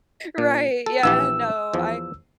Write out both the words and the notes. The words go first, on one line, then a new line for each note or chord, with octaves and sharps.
Right, Yeah, no, I
A#2
A4
A#1 E3 G4 E6
E2 F3